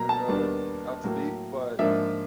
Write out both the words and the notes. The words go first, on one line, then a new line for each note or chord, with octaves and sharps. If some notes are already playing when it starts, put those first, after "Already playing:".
uh, out to be, but
Already playing: B2 F#3 A#3 A#5
A5
D#2 D#3 G3 B3 D4
A2 F#3 A#3
G#2 F3 A#3 D4 E5